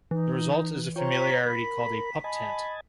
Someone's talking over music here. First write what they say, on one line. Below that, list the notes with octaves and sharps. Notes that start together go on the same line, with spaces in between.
The result is familiarly called a pup tent.
E3 D#4
F4 C5 C#5 G5 A#5 C#6
B6
A#4 B5
D#5 G#5 A5 B5